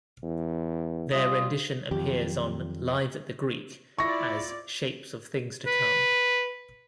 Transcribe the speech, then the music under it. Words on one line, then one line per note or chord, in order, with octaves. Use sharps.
Their rendition appears on "Live at the Greek" as "Shapes of Things to Come".
E2
G3 F4 D#5
F2 D#3 F#3 F4 G4
E4 F4 D5 C#6 A#6
B4